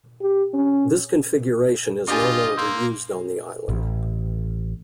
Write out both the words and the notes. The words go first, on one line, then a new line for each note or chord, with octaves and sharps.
This configuration is no longer used on the island.
G4
C#4
D4 F4 G4 D#5 G#5 D6 A6
A#3 C6 E6 G6
A1